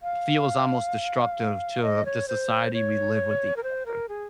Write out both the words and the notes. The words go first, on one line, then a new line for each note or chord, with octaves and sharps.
feels almost destructive to the society we live with each other.
F5
D#5
C#5
C5
C#5
A#4
C5
A#4
G#4